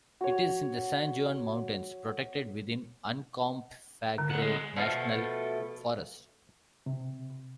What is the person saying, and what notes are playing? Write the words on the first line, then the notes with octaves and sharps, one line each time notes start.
It is in the San Juan Mountains, protected within Uncompahgre National Forest.
F#4 C#5
D3
B1 F#5
C#3 G#3
B2 F3 A3
C3